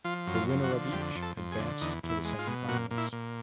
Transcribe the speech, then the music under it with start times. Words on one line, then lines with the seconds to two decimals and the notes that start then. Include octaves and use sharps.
The winner of each advanced to the semifinals.
0.04 F3 F4
0.27 F#2
0.35 F4
0.49 F3
0.63 F#4
0.71 D3
0.92 F2 G4
1.15 F2
1.23 A4
1.37 F2
1.52 G#4
1.59 D3
1.81 E2 D#4
2.03 E2
2.09 E4
2.25 G#3
2.39 F4
2.47 B2
2.68 A#2 F#4
2.91 A#2
2.98 E4
3.13 A#2